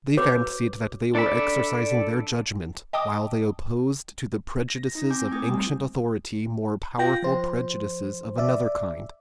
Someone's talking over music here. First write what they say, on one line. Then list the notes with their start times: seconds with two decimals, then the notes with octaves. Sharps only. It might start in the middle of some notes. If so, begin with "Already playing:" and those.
They fancied that they were exercising their judgment, while they opposed to the prejudices of ancient authority more powerful prejudices of another kind.
0.17 F#4 B4 C#5 D6
1.15 D4 A4 D5 E5 B5
2.93 D#5 G5 A5 D6 D#6
4.68 A#6
4.95 D#4
5.10 C4 G#5 D6 G6
5.32 A3 E4 G#5 D#6
5.50 G3
6.99 F4 G5 A#6
7.23 F3 C5
8.38 D5 E5